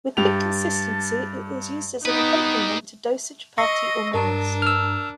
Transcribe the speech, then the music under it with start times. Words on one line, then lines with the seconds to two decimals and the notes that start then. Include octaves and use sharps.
With thick consistency it is used as accompaniment to Dosa, Chapati or meals.
0.17 G2 G4 A5 F7
2.06 G3 B3 D#4 B4
3.58 D#5 C#6 E6 A#6 C7
4.14 G2 D4 A#4 A5 A#5
4.62 E6 F6